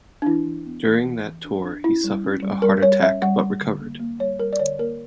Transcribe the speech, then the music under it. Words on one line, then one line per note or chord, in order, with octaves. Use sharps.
During that tour he suffered a heart attack but recovered.
D4
E3 E4
E3
B3
E3
E3
E3
D4
D4
C#4 E4
G3
C#4
G3
G3 A#4
G3 C#5
C#4 E5
G3 F#5
G3
D3
A#3
A#3
G3 C#5
G3 A#4
D5
D3 C#5
A#3 A#4